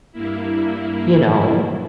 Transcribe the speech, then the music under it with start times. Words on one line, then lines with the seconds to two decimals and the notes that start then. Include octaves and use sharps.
you know?
0.12 G2 A#3 E4